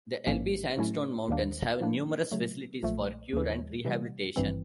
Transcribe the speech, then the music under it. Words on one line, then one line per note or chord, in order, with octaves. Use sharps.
The Elbe Sandstone Mountains have numerous facilities for cure and rehabilitation.
A1 G#2 F3 A#3 C#4
A2 F#3 A3 C#4 E4
D#2 D#3 G3 A#3 D4
A2 F3 A#3 D4
C#3 F#3 A3
B1 A#2 F3 A3
D#2 C#3 E3
C3 E3 G3
G#1 G2 E3 G3 C4